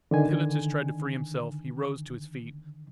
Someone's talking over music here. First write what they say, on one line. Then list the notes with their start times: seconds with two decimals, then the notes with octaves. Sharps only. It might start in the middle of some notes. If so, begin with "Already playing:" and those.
The hypnotist tried to free himself; he rose to his feet.
0.11 D3 D#3 G#5